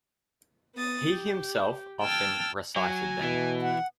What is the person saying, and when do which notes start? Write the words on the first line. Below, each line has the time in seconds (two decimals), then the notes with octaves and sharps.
He himself often recited them.
0.75 B3 D#6 A6
1.07 G4
2.01 G5 A5 E6 F6 G#6 A6
2.76 F#3 G#5
3.22 B2 E3
3.62 F#5